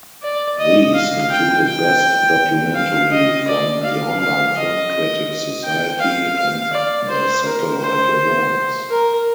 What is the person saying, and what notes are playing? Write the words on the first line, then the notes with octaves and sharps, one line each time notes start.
These included Best Documentary from the Online Film Critics Society and the Satellite Awards.
D5
D#5
F5
G5
G5
F5
D#5
D5
F5
F5
D#5
G5
F5
F5
D5
C5
A#4
C5
A#4